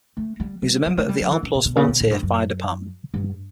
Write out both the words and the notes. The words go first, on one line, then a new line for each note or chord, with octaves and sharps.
He was a member of the Alplaus Volunteer Fire Department.
A3
G3
G3
F#3
A3
G3
F#3
E3
C#3
B2
B2
C#3
B2
A2
G2
F#2
G2